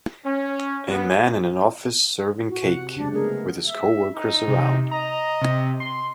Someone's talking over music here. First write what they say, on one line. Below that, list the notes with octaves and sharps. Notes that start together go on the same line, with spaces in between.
A man in an office serving cake, with his coworkers around.
C#4
B3
F#4
C3 F#5
C#3 F#3 G#3 D4
A3 B3 G#4 A#4
E5
D#4
C3
D#5 A#5
C3
C6